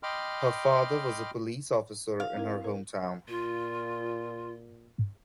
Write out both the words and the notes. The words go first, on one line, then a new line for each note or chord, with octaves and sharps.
Her father was a police officer in her home town.
D#5 G5 B5 C6 D6 F6
F5
C4 E4 A#4
A#4
A#2 F4